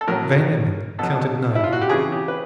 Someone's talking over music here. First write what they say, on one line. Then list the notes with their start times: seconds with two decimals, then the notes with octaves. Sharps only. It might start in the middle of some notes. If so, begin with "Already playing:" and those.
Van Emmon counted nine of them.
0.01 A4
0.08 A2 F#3 A#4
0.99 B2 F#3 A4
1.55 E4
1.64 F4
1.73 F#4
1.81 G4
1.89 C#3 E3 G#4
2.12 G4
2.28 B4